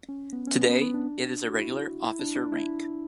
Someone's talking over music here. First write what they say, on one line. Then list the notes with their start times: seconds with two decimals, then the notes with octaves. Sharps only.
Today, it is a regular officer rank.
0.09 C#4
0.33 B3
0.47 C#4
0.57 B3
0.70 B3
0.82 B3
0.94 D4
1.50 F#4
1.54 E4
2.04 E4
2.19 D4
2.35 D4
2.52 E4